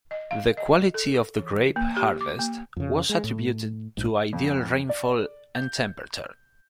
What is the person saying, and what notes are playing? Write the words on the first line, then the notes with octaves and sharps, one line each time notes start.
The quality of the grape harvest was attributed to ideal rainfall and temperature.
D#5
F5
D#5
A4
E3
A#3
G4
D6
A#3
F2 C#3
G#3
A2
A#1 G#2
F2
D5
G6